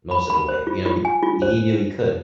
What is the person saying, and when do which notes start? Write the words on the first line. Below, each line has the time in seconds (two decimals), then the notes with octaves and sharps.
most of the way, you know, he knew he could,
0.11 B5
0.30 B5
0.49 C5
0.67 F4
0.86 F4
1.05 G#5
1.23 F4
1.42 C5